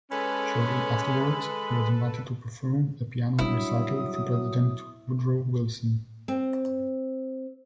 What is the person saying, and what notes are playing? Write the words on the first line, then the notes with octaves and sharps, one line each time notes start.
Shortly afterwards, he was invited to perform a piano recital for President Woodrow Wilson.
G#3 C#4 A4 B4 B5
F#3 G3 D4 E4 D#6
C4